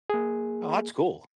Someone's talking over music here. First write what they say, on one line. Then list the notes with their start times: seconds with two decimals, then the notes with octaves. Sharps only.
Oh, that's cool.
0.10 A#3 G#4